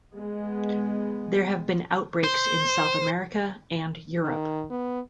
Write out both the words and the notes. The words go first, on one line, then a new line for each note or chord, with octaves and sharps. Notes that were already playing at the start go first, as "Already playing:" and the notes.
There have been outbreaks in South America and Europe.
G#3 B3
C5
D#3
B3